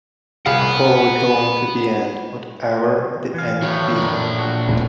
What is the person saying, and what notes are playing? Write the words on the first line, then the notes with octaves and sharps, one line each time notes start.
I follow it alone to the end, whatever the end be.
C2 G#4 F5 F#5 B5
E3 F5
A2 D#3 F#3 F#4
F#2 D4 A#4
A#2 D4
F#4
D#1 A2 C#3